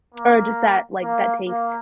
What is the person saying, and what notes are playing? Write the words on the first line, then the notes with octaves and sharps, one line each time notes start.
or just that, like, that taste.
A#3
A#3
A#3